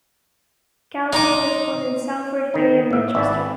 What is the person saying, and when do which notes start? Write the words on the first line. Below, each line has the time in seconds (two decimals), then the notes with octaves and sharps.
Gallagher was born in Salford, Greater Manchester.
1.13 D#4 D#5 A#5 C6 D6
2.54 D#3 D#4
2.91 A2 E5
3.15 G#1 B4 D5 E5